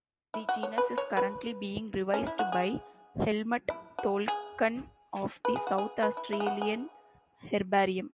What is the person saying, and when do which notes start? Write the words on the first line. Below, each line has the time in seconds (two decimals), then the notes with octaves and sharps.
The genus is currently being revised by Helmut Toelken of the South Australian Herbarium.
0.34 E4
0.49 F#4
0.63 C#5
0.78 B4
0.98 C#5
1.17 B4
2.14 C#4
2.27 E4
2.39 F#4
2.52 G#4
3.70 E4
3.99 F#4
4.28 G#4
5.45 B4
5.56 G#4
5.67 F#4
5.78 G#4
6.03 B4
6.17 E4
6.33 E4
6.40 G#4
6.47 F#4
6.62 G#4